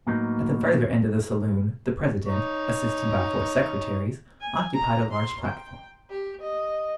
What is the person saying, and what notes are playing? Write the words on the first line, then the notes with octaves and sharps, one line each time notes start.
At the further end of the saloon the president, assisted by four secretaries, occupied a large platform.
A2 F#3 A#3 B3 D#4
D#4 C#5
G#5
A#5
C6
G5
G4
D#5